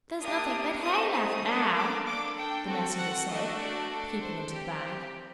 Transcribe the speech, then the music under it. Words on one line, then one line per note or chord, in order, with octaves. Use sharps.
'There's nothing but hay left now,' the Messenger said, peeping into the bag.
A#3 D4 G4 D#6
A3 C4 D#4 D#6
D#6
A#3 D4 A4
D6
D4 A4 D6
G5
C4 F#4 A4
F#5
A3 D4 F#4 A4 D#5
D5
D4 A4
C5
C4 G4